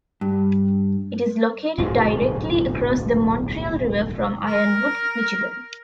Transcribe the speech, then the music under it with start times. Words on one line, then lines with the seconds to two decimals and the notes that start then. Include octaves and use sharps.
It is located directly across the Montreal River from Ironwood, Michigan.
0.21 G2
1.78 D1 B1 G#2
4.46 A#4